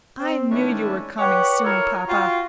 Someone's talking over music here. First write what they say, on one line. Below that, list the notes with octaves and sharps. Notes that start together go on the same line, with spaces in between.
"I knew you were coming soon, papa."
C4
D#3 G#3 A3 C#4 D4 E4
G4 B4 C#5 D5 F#5
E4 F4 A4 A#4 C#5
F4 F#4 G5